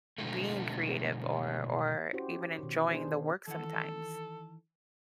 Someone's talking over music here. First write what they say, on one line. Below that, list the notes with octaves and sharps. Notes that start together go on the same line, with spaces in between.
being creative or or even enjoying the work sometimes?
B2 D3 D#3 F3 G#3 A3
C#4 E4 F#4 G4 C5 C#5
B2 D#3
B3 D4 G#4 C5
D#3
D#3 E3 A4 F#5